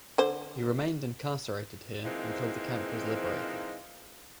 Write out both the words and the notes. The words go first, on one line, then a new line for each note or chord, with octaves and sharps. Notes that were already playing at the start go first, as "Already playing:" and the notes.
He remained incarcerated here until the camp was liberated.
D3 C5
E3 F3 G#3 A#3 C4 D#4